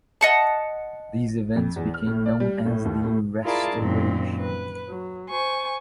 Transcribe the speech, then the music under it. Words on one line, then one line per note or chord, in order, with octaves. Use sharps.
These events became known as the "Restoration".
D#5 F#5 A5
F2
E2
F6
A2
D5
G3
A2
D#2
A2
E4 F4 G#4 A#4 D5 A5
F#2 A#2 D#3 C4
B4
F#3
C5 G#5 C#6